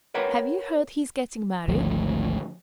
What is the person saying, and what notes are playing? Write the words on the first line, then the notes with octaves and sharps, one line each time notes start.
Have you heard he is getting married?
A#4 B4 C#5 F#5 G5 A#5
G#1 D2 F3 A3